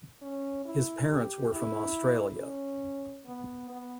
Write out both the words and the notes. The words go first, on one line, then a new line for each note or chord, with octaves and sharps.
His parents were from Australia.
C#4
E4
G4
E4
C#4
B3
B3